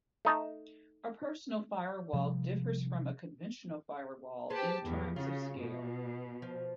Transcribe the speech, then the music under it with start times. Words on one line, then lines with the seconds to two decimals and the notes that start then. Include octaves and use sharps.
A personal firewall differs from a conventional firewall in terms of scale.
0.25 A3 D#4 A5
2.13 C3 F3 G3
4.50 B3 G4 G#4 C5 A5
4.86 E2 A2
5.16 C#3 F4 F#4
5.58 B2
6.42 F3